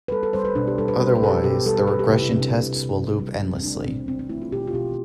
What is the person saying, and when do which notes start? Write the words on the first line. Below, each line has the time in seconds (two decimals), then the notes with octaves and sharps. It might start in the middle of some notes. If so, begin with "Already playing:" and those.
Otherwise the regression tests will loop endlessly.
0.08 B4
0.11 G3 A4
0.23 A4
0.33 G3 C5
0.45 B4
0.55 B2 D4
0.67 G4
0.78 G3 A4
0.88 B4
1.00 G3 C5
1.15 B4
1.21 B2 A4
1.29 G4
1.44 B2 G4
1.66 G3 A4
1.87 G3 B4
1.99 G4
2.09 C3 E4
2.21 E4
2.31 C3 C4
2.39 D4
2.46 C4
2.53 C3
2.77 C3
2.98 C3
3.20 G3
3.42 G3
3.55 C4
3.63 A3 D4
3.85 B2 C4
4.08 B2 C4
4.19 C4
4.29 A3 E4
4.42 F4
4.52 B2 G4
4.67 F4
4.73 B2 G4